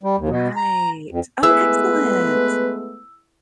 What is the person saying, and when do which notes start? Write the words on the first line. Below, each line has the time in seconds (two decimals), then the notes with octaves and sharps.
Right. Oh, excellent!
0.03 G3
0.18 D#2
0.30 B2
0.56 A#5
1.11 F2
1.43 G#3 A3 B3 E4 G#4 B4 E5 E6